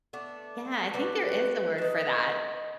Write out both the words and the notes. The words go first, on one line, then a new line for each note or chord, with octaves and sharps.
Yeah. I think there is a word for that.
A3 B3 D4
G3 C4 F#4 B4
D#4 A5